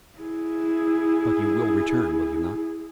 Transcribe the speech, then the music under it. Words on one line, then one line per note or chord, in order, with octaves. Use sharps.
"But you will return, will you not?"
E4 G#4